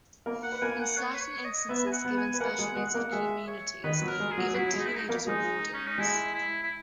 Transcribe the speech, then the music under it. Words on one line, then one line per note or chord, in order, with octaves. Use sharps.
In certain instances, given special needs of communities, even teenagers were wardens.
A#3 A#4
F#5
B4
A#3 A#4 G#5
F#5
C#5
B4
C#5
D#5
B3 B4 E5
G#5
F#5
B3 B4
G#5
B4
A#3 A#4 F#5
G#3 G#4
G#3 G#4 F#5
A#3 A#4
G#3 G#4 E5
C#5
D#3 D#4 B4
F#3 F#4
A#4
G#3 G#4
G#4
F#3 F#4
F#3 E4 F#4
G#3 G#4
D#4
E4
D#4
A#3 A#4
G#3 D#4 G#4
C#4
D#4
G#3 E4 G#4
E4
E4